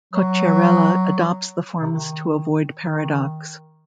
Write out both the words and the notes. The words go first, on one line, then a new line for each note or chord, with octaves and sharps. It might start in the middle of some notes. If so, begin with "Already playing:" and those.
Cocchiarella adopts the forms to avoid paradox.
F#3
C3
D#3
D#3